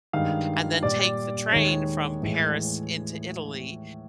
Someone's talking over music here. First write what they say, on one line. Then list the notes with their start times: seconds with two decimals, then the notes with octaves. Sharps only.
and then take the train from Paris into Italy,
0.13 G2 D#3 G#3 F5
0.83 A#2 G3 D5
1.52 D#2 D#3 G#3 C#5
2.22 A2 E3 G#3